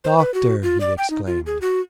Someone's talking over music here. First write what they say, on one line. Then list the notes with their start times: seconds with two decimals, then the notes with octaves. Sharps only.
"Doctor!" he exclaimed.
0.04 C5
0.19 B4
0.34 F#4
0.63 F4
0.80 D5
0.98 G5
1.10 D#4
1.27 F4
1.46 G#4
1.61 F#4